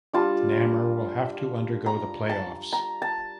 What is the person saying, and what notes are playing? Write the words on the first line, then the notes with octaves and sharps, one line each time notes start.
Namur will have to undergo the playoffs.
G3 D4 F4 A5
A#5
A5
A#5
A5